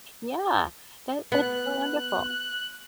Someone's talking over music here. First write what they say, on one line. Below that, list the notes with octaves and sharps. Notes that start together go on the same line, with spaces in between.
Yeah, that that's so wonderful.
B3 F#6